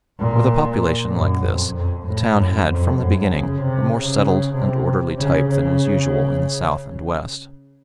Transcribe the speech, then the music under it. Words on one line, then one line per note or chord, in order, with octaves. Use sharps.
With a population like this, the town had, from the beginning, a more settled and orderly type than was usual in the South and West.
A#2
F#2
F2
F2
A2
F#2
F2
F#2
C#3
C3
C#3
C3
C#3
C#3